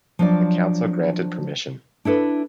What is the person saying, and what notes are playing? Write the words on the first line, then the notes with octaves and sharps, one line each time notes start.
The council granted permission.
F3 F#3 D4 F4 D5
D4 E4 A4 B4